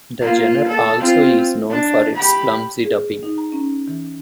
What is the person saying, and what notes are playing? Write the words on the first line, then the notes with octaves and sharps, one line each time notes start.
The genre also is known for its clumsy dubbing.
A#3 F4
A4
C4 F4
D4
G4 B5
G#4
D#4
A#5
C#4
E3